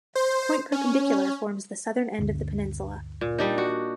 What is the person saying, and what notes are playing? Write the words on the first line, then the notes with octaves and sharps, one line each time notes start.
Point Perpendicular forms the southern end of the peninsula.
C5
C#4
G1 D2
A#2
G3 D4 D#4
F#4